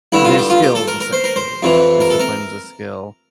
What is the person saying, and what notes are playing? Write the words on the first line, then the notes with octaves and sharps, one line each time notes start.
They're skills, essentially, discipline's a skill.
G2 D3 E4
F4
G4
F4
G4
A4
A#4
A#4
C5
A#4
C5
F2 C3 E3
A#4
A4
A#4